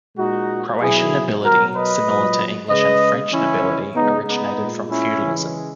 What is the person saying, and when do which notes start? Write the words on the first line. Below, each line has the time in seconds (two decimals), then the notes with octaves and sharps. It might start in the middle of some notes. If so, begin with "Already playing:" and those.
Croatian nobility, similar to English and French nobility, originated from feudalism.
0.17 A#2 G#3 D#4 F#4
0.81 B2 F#3 E4 G#4
1.43 B2 F#3 F#4 A#4
1.74 B4 D#5
2.06 A#2 F#3
2.69 C#3 G#3 B4 D#5
3.32 C#3 E3 G#3 C#4 E4
3.95 C#3 G#3 B3 D#4
4.27 B3 D#4
4.59 A#2 G#3
4.89 C#4 E4
5.21 C#3 E3 G#3